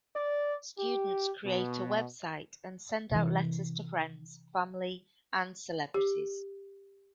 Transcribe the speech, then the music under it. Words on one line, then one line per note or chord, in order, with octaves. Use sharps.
Students created a website and sent out letters to friends, family and celebrities.
D5
G4
B2
C3 E3
G4